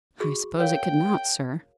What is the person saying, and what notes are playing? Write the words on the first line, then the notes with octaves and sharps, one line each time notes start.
"I suppose it could not, sir."
F#4 G#4 C#6
A#4 C#5 F5 G5